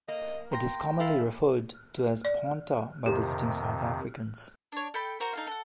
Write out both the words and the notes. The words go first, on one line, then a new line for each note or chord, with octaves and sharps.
It is commonly referred to as 'Ponta' by visiting South Africans.
A#3 D#5
G5 A#5 C6 A#6
E4 A4 F5
D5
F2 C3 D#3 G4
D4 C#5
A4 G5 B5
F#4 A#4 C5
D#4 A4 F5
A4 F#5